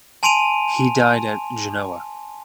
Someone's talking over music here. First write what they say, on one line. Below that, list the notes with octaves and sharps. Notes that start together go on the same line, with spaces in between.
He died at Genoa.
G#5 A5 C6 D7 D#7 F7